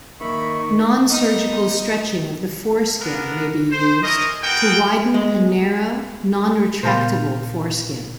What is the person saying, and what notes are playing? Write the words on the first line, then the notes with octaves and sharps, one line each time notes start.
Non-surgical stretching of the foreskin may be used to widen a narrow, non-retractable foreskin.
D#3 A#3 E5 B5 C#6
B3 D#4 F6
B3 D4 A#4
C5
C#4 E4 A#4 D#5
B3 F#4 G#4 A#4 G5
G#3
A#2 C#3 B3 F4 A#4 C5